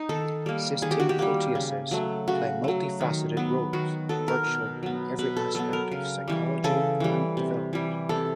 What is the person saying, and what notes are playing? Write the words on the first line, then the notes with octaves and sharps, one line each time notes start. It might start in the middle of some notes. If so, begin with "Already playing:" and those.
Cysteine proteases play multi-faceted roles, virtually in every aspect of physiology and development.
Already playing: D#4
D#3 A4
G3 A#3
D#3 G#4
G4
F#4
G4
G3 A#3
C#3
F#3 A3
C#3 F#4
F#3 A3
D#3
F#3 B3
D#3 F#4
F#3 B3 A4
A#4
B2
F#3 B3
B2 B4
A4
F#3 B3 A4
A#4
C#3
E3 G3
C#3 A4
E3 G3
C3
E3 G3
C3 A4